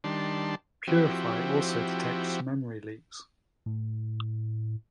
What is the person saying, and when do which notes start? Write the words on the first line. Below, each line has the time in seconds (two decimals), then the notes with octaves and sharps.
Purify also detects memory leaks.
0.04 D#3 G3 D4 A5 C6
0.88 F3 C4 E4 F#4 G4
3.66 A2